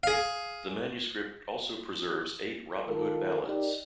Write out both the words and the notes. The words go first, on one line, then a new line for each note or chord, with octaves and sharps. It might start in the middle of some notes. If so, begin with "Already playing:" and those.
The manuscript also preserves eight Robin Hood ballads.
G#4 F5
D#3 F4 A4 A#4
D#4 G4 A#4 D5